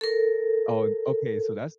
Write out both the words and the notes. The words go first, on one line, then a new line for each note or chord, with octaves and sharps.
Oh, an okay, so that's
A4 A#4